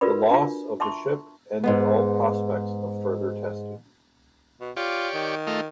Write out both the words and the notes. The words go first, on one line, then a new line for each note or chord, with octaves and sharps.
The loss of the ship ended all prospects of further testing.
F4 F#4 A#4 B4 D5 B5
D4 F4
E5 A5 A#5 C6 C#6
G#2 G#3 B3
B2
F4 G4 C#5 D5
D#3
A3 D#4 F4